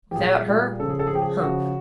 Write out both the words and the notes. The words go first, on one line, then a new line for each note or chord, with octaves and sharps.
Without her? Humph!
G4
A#2 G3 G#4
A#2 G3
C#3 F3 A4
G#4
A4
G#4
C#3 F3 G4
G#4
C#3 F3 F#4